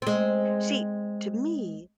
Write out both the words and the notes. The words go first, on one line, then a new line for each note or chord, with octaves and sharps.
See, to me,
G#3 C4